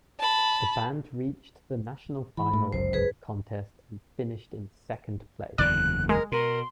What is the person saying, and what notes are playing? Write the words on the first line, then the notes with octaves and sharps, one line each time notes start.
The band reached the national final of the contest and finished in second place.
A5 B5
E3 B5
A2
G1 C#2 F#2 C5
G#4 B4
F#1 E2 D3 D5 F#6
G#3 A#4
B2 A#4 C6